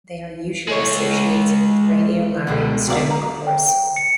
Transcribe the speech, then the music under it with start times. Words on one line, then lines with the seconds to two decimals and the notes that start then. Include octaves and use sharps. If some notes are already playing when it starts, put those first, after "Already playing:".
They are usually associated with radiolarian stone cores.
0.69 G#3 C#5
2.47 C#2 B2 D3 G3 G#3
2.88 C3 F#3 B3 D4 D5 F5
3.11 A#5
3.47 G5
3.67 G5
3.96 C#7